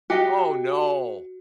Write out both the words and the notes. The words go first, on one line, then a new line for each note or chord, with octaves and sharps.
Oh no!
F#4 G4 D#5 G5